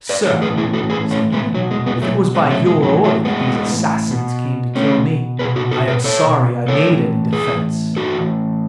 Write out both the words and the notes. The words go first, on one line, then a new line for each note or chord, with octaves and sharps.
"Sir," said he, "if it was by your order that these assassins came to kill me, I am sorry I made any defence."
B4 D5
A2 E3 A4 C#5
G#4 B4
E4 G#4
F#4 A4
G#4 B4
A3 C#4
G#3 B3
B2 F#3
G#3
G#3 B3
F#3 A3
G#3 B3
F#3 A3
G#3
A2 E3 F#3
F#3 A3
G#3 B3
B2
A3 C#4
B2 G#4 B4
F#4 A4
F#4 A4
G#4 B4
A4 C#5
A2 E3 A4 C#5
G#4 B4
A2 E3 F#4 A4